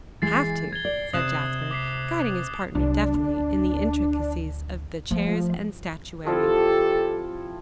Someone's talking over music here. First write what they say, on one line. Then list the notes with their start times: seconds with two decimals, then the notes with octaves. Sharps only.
"Have to," said Jasper, guiding his partner deftly in the intricacies of the chairs and statuary.
0.22 E3 G#3 A6 C7
0.72 G#6 A6 G7
0.85 D5
1.13 C3 D#6 F#6 E7
1.71 D6 B6 C7
2.75 C2 F#3 D4
3.14 D2
5.11 F3 A3
6.26 F3 C4 E4 G4 A4